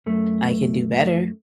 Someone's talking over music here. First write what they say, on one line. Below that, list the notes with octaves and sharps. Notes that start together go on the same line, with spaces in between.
I can do better,
F#2 A3